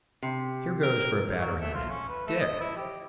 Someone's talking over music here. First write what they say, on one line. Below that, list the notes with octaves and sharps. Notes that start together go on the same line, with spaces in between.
Here goes for a battering-ram, Dick!'
C3
A#4
F#3
A3
F4
C#4
B4
A3
D#5
E4
G4